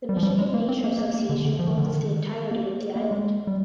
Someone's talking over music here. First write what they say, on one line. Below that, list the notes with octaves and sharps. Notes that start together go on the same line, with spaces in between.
The Michigan Nature Association owns the entirety of the island.
G3
F3
G3
G#3
A#3
C4
A#3
A#3
A#3
D3
D3
F3
D#3
D3
D#3
A#3
A#3
G#3
G3